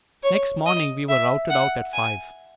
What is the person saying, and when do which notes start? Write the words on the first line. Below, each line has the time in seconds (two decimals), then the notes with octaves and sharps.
Next morning we were routed out at five.
0.23 C#5
0.66 D#5
1.09 E5
1.50 F#5
1.93 G#5